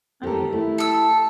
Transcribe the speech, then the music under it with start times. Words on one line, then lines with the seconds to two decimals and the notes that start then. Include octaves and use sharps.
Oh, yeah.
0.23 G4 A4 A#4
0.53 A3 E4
0.78 A4 E6